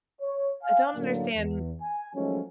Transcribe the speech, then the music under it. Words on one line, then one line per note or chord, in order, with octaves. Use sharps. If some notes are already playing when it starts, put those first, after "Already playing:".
I don't understand
C#5
F5 G#5
F#2 A2 D3 F#3 A#3
E2
G#5
D#3 F3 F#3 G#3 A3 C#4